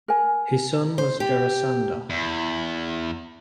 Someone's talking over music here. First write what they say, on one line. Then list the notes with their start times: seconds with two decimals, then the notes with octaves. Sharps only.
His son was Jarasandha.
0.08 A#4 G#5
0.98 C5
1.20 G4
2.10 E2